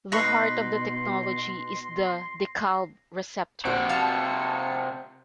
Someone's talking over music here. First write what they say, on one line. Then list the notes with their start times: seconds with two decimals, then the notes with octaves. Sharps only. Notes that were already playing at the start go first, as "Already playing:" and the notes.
The heart of the technology is the "deKalb receptor".
0.12 B2 D#4 B4 C6 C#6 A#6 C7
3.65 A#1 C3 F#4 C5 D7
3.89 F5 A5 C#7